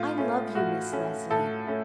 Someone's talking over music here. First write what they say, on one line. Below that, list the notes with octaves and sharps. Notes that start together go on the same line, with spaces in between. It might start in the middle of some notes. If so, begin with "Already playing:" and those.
I love you, Miss Leslie.
Already playing: A2 F4
A3 C#4
A2 F#4
A3 C#4
A2 A4
A3 C#4